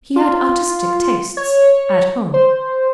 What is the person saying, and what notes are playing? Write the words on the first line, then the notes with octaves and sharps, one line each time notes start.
He had artistic tastes--at home.
F4
C#5
C5